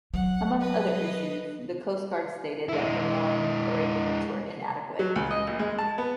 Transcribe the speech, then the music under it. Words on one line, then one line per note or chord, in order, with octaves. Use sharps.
Among other issues, the Coast Guard stated that her mooring arrangements were inadequate.
F#3 F#5
B4 D#5
G#3 E4
F#3
C#2
D#5
A#1
G#3
A5
B3